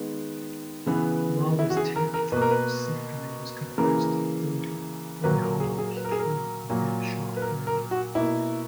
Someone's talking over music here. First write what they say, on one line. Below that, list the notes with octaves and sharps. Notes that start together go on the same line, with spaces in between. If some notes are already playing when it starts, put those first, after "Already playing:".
Mahler's Tenth Symphony was composed in the enharmonic key of F-sharp major.
Already playing: D#3 G#3 B3
C#3 E3 B3
E4
F#4
G#4
A#4
A#4
B2 A#3 B4
A#4
B4
C#3 E3 A#3 A#4
A#2 F#3 A#3 B4
A#4
G#4
G#4
B4
A#4
G#4
A#4
A#2 F#3 A#3
B4
A#4
A#4
F#4
B2 A#3 E4